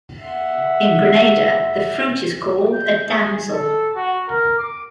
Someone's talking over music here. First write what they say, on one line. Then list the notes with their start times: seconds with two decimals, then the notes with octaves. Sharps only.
In Grenada, the fruit is called a damsel.
0.23 E5 F#5
2.73 G6
3.10 G#4
3.51 A4
3.95 F#4
4.28 A#4
4.58 D6